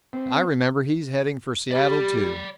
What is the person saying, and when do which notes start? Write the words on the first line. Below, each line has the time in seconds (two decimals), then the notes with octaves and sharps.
I remember; he's headed for Seattle, too.
0.13 C4
1.71 G3 D5 B5